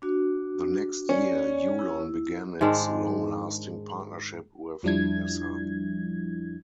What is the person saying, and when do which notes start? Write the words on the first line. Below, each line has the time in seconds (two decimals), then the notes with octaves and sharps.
The next year Yulon began its long-lasting partnership with Nissan.
0.02 D4 F#4
1.09 C#4 C#5 D5
1.79 E4
2.61 G#2 D#3 G#3 D4
4.83 F2 F3 G3 D4 E4 G#6